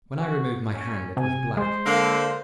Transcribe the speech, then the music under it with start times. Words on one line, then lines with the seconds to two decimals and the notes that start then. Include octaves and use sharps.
When I removed my hand it was black.
0.17 F#4
0.72 C#4
1.17 C3 G#5
1.57 G#3 C5
1.86 D3 A#3